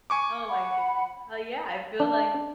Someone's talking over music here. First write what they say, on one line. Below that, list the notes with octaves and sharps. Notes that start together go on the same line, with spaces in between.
Oh my goodness. Uh, yeah, I feel, like
G#5 C#6 D6
F#5 B5
D4